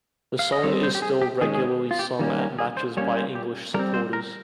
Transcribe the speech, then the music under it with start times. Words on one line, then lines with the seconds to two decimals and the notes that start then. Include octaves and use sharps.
The song is still regularly sung at matches by English supporters.
0.39 F5
0.52 D#5
0.63 G3 C4 C#5
0.83 C5
0.95 G4
1.02 G#4
1.22 G4
1.41 D#3 G#3 C#4 G#4
1.55 G#4
1.67 G4
1.91 F4
1.99 G4
2.19 D#3 G3 A#3 C#4
2.39 A#4
2.59 G#4
2.77 C5
2.97 G3 A#3 C#4 C#5
3.16 C5
3.35 G4
3.74 G3 A#4
3.79 C4
3.94 C5
4.13 A#4